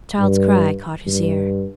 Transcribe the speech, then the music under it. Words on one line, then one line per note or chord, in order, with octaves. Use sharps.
A child's cry caught his ear.
G2
G2